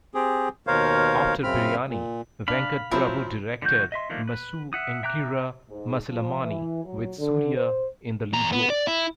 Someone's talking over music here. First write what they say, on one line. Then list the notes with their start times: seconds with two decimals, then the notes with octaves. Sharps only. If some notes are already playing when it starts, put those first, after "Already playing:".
After "Biriyani", Venkat Prabhu directed "Massu Engira Masilamani" with Suriya in the lead role.
0.15 C4 G4 G#4
0.67 D#2 B2 A#4 C5 C#5 F5
1.43 F#2 C#3 C4 B5 F6
1.88 A#2
2.48 D4 F5 B5
2.91 F3 F#3 C4 E4
3.62 D3 F3 A3 F#4 G6
3.92 D#5 E5 C6
4.10 D#3 F3 A3 A#3 D4
4.28 B4
4.73 E5 F#5 D#6
5.03 E5 G5 A#5 D6 F#6
5.69 G#2
6.09 F3
6.40 E3
6.84 F#3
7.18 D3
7.56 C5
8.33 E2 A#5
8.52 B3
8.70 D5
8.87 E4